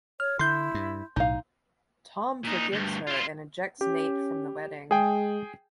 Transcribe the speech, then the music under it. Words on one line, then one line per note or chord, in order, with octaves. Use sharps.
Tom forgives her and ejects Nate from the wedding.
C#5 F6
D3 E4 C6 G6
G2
B1 A2 D#4 F5
A#2 D#4
D2 G2
E4 F4
C#4 G4
G#3 G#4 G5